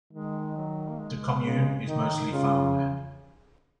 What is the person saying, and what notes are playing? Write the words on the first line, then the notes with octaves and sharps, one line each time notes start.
The commune is mostly farmland.
D#3 G#3
F#3
A#3
G#3
C#3
D#3 D#4
C#3 F4